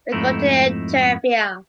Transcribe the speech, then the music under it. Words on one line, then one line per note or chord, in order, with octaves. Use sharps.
We go to Tírvia.
F2 G#2 A3 D#4 E4